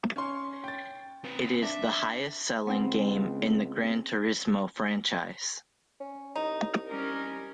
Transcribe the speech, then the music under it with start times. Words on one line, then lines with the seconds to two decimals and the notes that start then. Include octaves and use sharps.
It is the highest-selling game in the "Gran Turismo" franchise.
0.16 C#4 C#5 C6
0.64 G5 A6
1.24 C4 B4
1.63 D4 E5
2.67 C#2 B3 C4
6.00 C#4
6.36 C2 D#4
6.89 G3 C#4 A#4